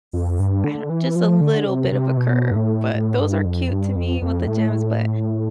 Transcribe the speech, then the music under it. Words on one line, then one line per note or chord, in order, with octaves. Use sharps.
s I don't just a little bit of a curve, but those are cute to me with the gems, but
F2
G2
D3
E3
F3
D3
C3
C3
B2
G2
A2
A2
G2
F2
G2
F2
F2
A2